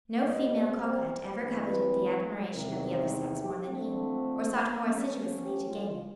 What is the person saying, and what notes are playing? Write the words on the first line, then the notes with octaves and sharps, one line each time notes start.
No female coquette ever coveted the admiration of the other sex more than he, or sought more assiduously to gain it.
B2 G3 C4 D#5
D5
C5
G2 E3 G#3 C4 B4
E2 C3 D#3 A#4
C5
G4
D3 F3 A3 C4
D3 F3 A3 C#4
G4
F4